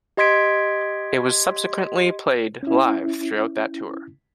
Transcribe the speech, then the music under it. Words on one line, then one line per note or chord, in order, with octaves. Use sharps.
It was subsequently played live throughout that tour.
G4 D#5 C6 G#6 B6 D7
C#4 E4